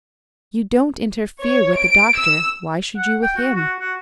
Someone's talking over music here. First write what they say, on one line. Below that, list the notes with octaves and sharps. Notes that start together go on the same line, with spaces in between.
You don't interfere with the doctor--why should you with him?
C#5
D7
E6
F#5
G5
F#4
F#4
F#4